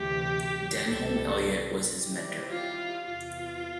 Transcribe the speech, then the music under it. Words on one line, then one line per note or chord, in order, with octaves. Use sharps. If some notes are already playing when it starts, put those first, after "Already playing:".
Denholm Elliott was his mentor.
Already playing: D2 C3 E3 G4
C2 A#2 G3 A4
D#3 G3 C4 E4 G4
F4
E2 C3 E3 F4